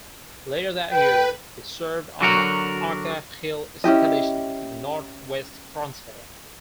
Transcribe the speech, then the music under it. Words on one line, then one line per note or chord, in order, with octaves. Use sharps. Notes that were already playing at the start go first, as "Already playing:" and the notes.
Later that year he served on the Aka Khel Expedition to the North-West Frontier.
B4 G5
D3 F#3 F#4 A#4
C#4 E4 G4 D#5